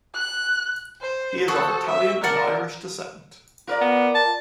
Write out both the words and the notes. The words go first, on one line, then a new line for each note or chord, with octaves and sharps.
He is of Italian and Irish descent.
F#6
C5
F#4 A4 C5 D#6
E5
A#4 D5 F#5 A5
F4 A#4 D5
B3
A5